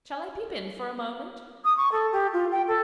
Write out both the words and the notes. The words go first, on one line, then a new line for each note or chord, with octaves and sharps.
"Shall I peep in for a moment?"
D#6
C#6
A4
G4
F4
G5
A4